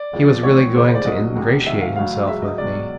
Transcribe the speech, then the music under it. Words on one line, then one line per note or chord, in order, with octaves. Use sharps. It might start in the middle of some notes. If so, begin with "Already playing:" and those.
He was really going to ingratiate himself with me.
Already playing: D5
D#2 C#3 F3
A#1 A2 E3 C#5
E2 C#3 E3 C5
C5
D5
C2 B2 F#3 D#5
D2 C3 E3
D2 C3 D#3 F#3 E5
F5
A1 A2 F#3 F5
C#2 C#3 F#3 E5
D#5
C#2 B2 F#3 D5